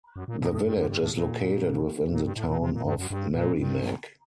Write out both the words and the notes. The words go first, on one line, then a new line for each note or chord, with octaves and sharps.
The village is located within the Town of Merrimac.
F#2
A#2
A#2
A2
G2
F#2
G2
A2
A#2
A#2
G2
A2
A#2
C3
A#2
G2
F#2
G2
A#2
G2